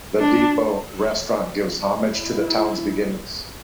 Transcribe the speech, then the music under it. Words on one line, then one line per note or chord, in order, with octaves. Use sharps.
'The Depot' restaurant gives homage to the town's beginnings.
D4
E4